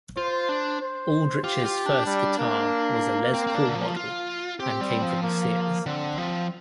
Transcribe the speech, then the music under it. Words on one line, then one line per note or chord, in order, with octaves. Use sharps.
Aldrich's first guitar was a Les Paul model and came from Sears.
F4 C5
D4
C5
F4 G4
F4
D4
G3
A#3
C4
C4
D4
D3
F3
F4
C4 G4
G3
F3
A#3
D3 C4
F3